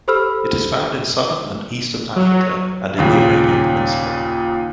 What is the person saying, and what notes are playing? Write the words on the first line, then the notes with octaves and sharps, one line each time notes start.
It is found in southern and eastern Africa and in the Arabian peninsula.
G4 A4 C5 B5 E6 F6
F#3
D#2 A#2 C#3